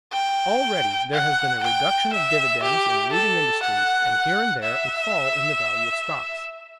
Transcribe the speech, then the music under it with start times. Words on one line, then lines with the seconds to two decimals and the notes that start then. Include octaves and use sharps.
Already there has been a reduction of dividends in leading industries, and here and there a fall in the value of stocks.
0.12 G5
1.13 F#5
1.63 G5
2.13 E5
2.62 G4
3.13 A4
3.63 F#5
4.63 E5